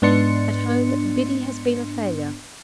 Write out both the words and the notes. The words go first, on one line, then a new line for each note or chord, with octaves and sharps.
'At home, Biddy has been a failure.
G#2 B3 D4 C6 C#7